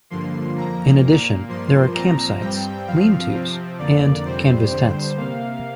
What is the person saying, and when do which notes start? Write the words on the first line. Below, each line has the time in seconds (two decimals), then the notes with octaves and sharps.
In addition there are campsites, lean-tos, and canvas tents.
0.10 G2 D3 F3 A#3 C6
0.57 F2 F3 A#3 A#5
1.03 A#2 A#3
1.48 G2 F3 A#3 C6
1.94 A#2 F3 C4 A#5
2.41 G2 G3 C4 G5
2.87 G2 F3 C4 F5
3.34 C3 F3 C4
3.79 F2 D3 A#3 D5
4.25 F2 C3 G3 C4 C5
4.71 G2 D3 G3 C5
5.17 C3 A#3 F5